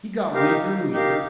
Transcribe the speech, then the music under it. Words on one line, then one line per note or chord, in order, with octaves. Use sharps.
He got weaker and weaker.
D#4 G4 A#4 F5
D#4 G4 A#4 F5